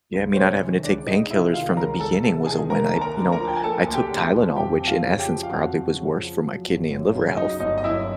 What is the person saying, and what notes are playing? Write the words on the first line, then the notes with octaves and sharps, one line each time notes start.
yeah, me not having to take painkillers from the beginning was a win. I, you know I took Tylenol, which in essence probably was worse for my kidney and liver health.
C#2
C5
C3 C#4 C#5
D#3
C#2 D4 D5
C#2 D#4 D#5
C3 E4 E5
D#3 F4 F5
C#2 A#4 A#5
C#2 A4 A5
C3 A4 A5
D#3 G#4 G#5
A#3 A#4 A#5
D2 A5
A#4 A#5
D3
A#4 A#5
F3
G5
G#5
A#3 A4 A5
D2
G4 G5
D3
F3
F2 G4 G5
F2
F4 F5
C#3
G4 G5
F3
F5
F2 F#4 F#5
F2
C#3
F3
F#3
G1
F#2
C#3
F#3 D#4 D#5
G1 D#4 D#5
D#5
F#2 E4 E5